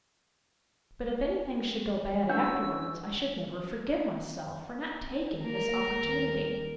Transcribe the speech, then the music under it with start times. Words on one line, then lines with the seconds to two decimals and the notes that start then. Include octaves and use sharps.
But if any thing should go bad afterwards, I should never forgive myself, for not taking this opportunity.
2.29 E3 C#4 D4 F#4 E6
5.43 A#3 A#4
5.97 D#2 G3